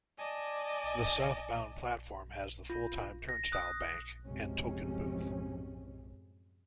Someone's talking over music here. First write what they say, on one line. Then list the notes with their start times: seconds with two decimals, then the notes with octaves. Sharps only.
The southbound platform has the full-time turnstile bank and token booth.
0.18 D5 D#5 G#5 A5
2.70 F4
3.29 A#6
3.52 D#6 F#6
4.25 F#2 A2 C3 F3 G#3 C#4